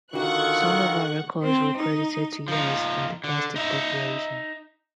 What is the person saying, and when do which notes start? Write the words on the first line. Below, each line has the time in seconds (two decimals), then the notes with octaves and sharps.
Some of her records were credited to Yazz and The Plastic Population.
0.13 D3 D#3 F4 F#4 A4 F#5 C#6 F#6
1.43 C4
1.77 D#4
2.48 F3 D#4
3.24 D3
3.56 D#4 E5